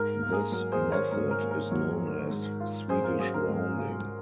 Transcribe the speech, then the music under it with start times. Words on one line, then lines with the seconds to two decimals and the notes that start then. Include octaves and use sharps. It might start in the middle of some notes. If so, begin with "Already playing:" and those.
This method is known as "Swedish rounding".
Already playing: G#2 A#4
0.22 A#3
0.32 G#4
0.52 F#3 A#4
0.72 G#4 C5
0.82 D#3
0.92 A#4 C#5
1.11 G#2 A#4
1.31 A#4
1.41 A#3
1.51 A#4
1.71 F#3
2.01 D#3
2.30 G#2
2.60 F4
2.89 C#4 G#4 C5
3.04 A#4
3.19 F#3 G#4
3.34 A#4
3.49 G#2
3.78 F4